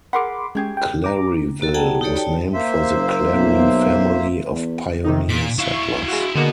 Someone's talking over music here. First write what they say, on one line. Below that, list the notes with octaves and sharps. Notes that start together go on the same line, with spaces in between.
Claryville was named for the Clary family of pioneer settlers.
G#4 A#4 F#5 B5 C6 D6
G#3 C#4 G4 G#4 G#6
G5
A#5 D6
A#3 F#4 A4
G#4 D5 F#5 G5 A5 A#5
D#4 F#4 G4 A4 C#5 D5
C#5 D5 G5 A5
A#3 C5 E5
F#1
B1
E2
C3 D#3 D#4
A#2 B6 D7
E4 F5 C#6
G#3 F4 F#4
D3 G#3 A#3 B3 F#4